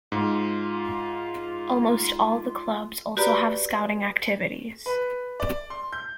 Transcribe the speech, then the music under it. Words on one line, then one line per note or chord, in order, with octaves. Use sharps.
Almost all the clubs also have scouting activities.
G#2 F4
F#4 G4 B4 D5 A#5 B5
B4
D5
C6
G6